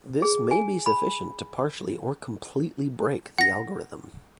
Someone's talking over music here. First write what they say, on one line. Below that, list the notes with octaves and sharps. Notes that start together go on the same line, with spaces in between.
This may be sufficient to partially or completely break the algorithm.
G#4
G#5
B5
F#5 A#6